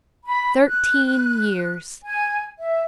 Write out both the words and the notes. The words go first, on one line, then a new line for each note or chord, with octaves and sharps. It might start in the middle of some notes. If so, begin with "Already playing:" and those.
Thirteen years.
B5
F#6
G#5
E5